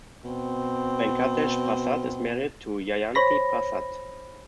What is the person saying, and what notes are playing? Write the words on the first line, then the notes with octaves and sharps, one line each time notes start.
Venkatesh Prasad is married to Jayanthi Prasad.
B2 C4
C5 C#5 B5 A#6